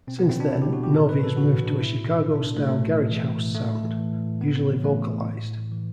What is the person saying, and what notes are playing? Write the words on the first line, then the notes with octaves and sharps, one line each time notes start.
Since then, Novy has moved to a Chicago-style garage house sound, usually vocalized.
B2 C4
B3
B2
C4
B2 D4
B2 E4
G4
B2
F#4
B2 G4
A2 A4
A2 B4
E3 A4
E3 F#4
A2
A2 D4
B2 E4
B2
B2
B2
D4
B2
B2 A3
A2 A3
A2
E3
E3
A2
A2
A2 A3
A2
E3
E3
A2
A2
A2 B3
A2
E3
E3 A3
A2
A2
A2
A2
E3
E3